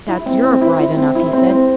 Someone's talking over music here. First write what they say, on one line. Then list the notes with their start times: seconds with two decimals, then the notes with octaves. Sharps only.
"That's Europe, right enough," he said.
0.08 E4
0.26 C4
0.44 C4
0.61 E4
0.80 E4
0.97 C4
1.15 E4
1.33 C4
1.50 C4